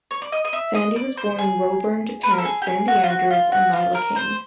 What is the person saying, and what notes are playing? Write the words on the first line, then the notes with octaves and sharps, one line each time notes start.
Sandy was born in Roebourne to parents Sandy Andrews and Lila King.
C#5
D5
D#5
D#5
E5
D#5
D5
C5
G#4
B4
A#4
A4
G#4
G4
G#4
F#4
F4
F#4
F4
F#4
F4
A#4
C5